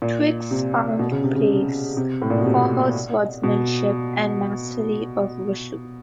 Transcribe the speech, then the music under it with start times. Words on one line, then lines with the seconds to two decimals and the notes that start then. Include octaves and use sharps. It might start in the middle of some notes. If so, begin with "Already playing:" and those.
Twigs found praise for her swordsmanship and mastery of Wushu.
0.02 A#2
0.51 C3
0.99 B2
1.12 C#3
1.24 C3
1.36 C#3
1.97 C3
2.22 A2
2.30 A#2
2.38 B2
2.46 C3
3.44 B2